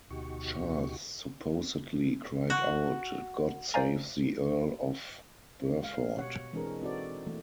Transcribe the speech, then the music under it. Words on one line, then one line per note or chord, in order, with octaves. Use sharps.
Charles supposedly cried out God save the Earl of Burford!
D2 B2 D#4 F#4 G4 C#6
F#4
C5 D5 F5 G#5 A#5
G#3 F5
B2 G4 C#5 F#5
E3 G#3 C4 D4 G#4 A#4
C4 D#4 F#4 A4 D5
E3 A3 A#3